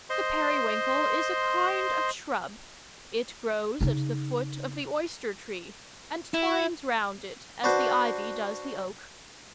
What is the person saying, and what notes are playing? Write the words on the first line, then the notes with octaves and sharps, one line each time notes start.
The periwinkle is a kind of shrub; it grows at the foot of the oyster-tree, and twines round it as the ivy does the oak.
C5 D#5 C6
C#3 D#4
E4
D4 F#4 B4 C5